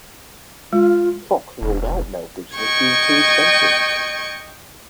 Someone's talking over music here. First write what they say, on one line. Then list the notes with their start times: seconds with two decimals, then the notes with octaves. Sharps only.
Fox ruled out Mel Gibson as being too expensive.
0.73 G#3 F4
1.62 E1
2.56 D#5 G5 C#6 G#6